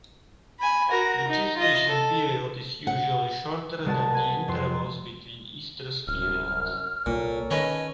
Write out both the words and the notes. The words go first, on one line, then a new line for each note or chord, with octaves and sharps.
The gestation period is usually shorter than the intervals between oestrus periods.
G#5 B5
F#4 A#4
D#4
F4 D#5
A4
F#5
C2 G#3 B3 F#4 A5
G#5 B5
F2 C6
D1 C2 F#2 F6
C2 A#2 A4 A#4 C#5
D#3 C#4 B4 D#5